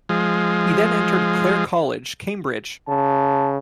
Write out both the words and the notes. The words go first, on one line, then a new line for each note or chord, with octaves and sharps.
He then entered Clare College, Cambridge.
F3 G#3
C#3 A5